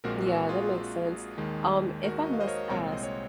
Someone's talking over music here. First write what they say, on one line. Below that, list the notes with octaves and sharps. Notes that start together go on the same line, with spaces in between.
Yeah, that makes sense. Um, if I must ask,
A#1 A#2 G#3 C4 F#4 A#4
F#4
F4 G#4
D#2 D#3 G#3
F#4 A#4
D#5
F5
C5 D#5
A#4 C#5
C2 A#2 G#3 C4 A#4 C#5
C5 D#5
C#5